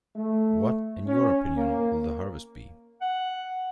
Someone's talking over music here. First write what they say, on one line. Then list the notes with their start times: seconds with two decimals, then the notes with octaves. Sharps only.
What, in your opinion, will the harvest be?
0.16 A3
1.06 C#4
1.56 A#3
3.01 F#5